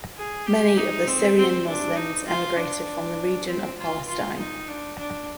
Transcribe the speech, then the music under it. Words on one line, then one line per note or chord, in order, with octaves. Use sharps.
Many of the Syrian Muslims emigrated from the region of Palestine.
G#4
G4
D#4
C4
C4
D4
D#4
F4
D4
C4
F4
F4
D#4
D4
D4